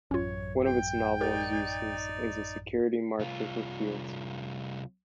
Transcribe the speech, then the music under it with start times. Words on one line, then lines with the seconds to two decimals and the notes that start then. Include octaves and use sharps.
One of its novel uses is a security marker for fuels.
0.11 A1 F#2 C#4 F4 C#5
0.63 G5
1.21 D#4 G4 A#4 D5
3.19 C2 F4